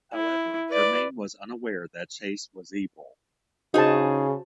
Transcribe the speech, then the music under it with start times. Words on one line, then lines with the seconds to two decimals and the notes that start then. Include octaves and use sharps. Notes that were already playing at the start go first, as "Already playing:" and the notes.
However, Jermaine was unaware that Chase was evil.
0.14 E4
0.70 B4 D5
3.74 C#3 D#4 F#4 G#4 C5 A5